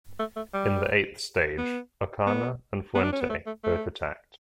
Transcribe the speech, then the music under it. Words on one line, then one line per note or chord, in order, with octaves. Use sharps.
In the eighth stage, Ocana and Fuente both attacked.
A3
A3
G3
B3
B3
B3
D4
C#4
B3
A3
A3
A3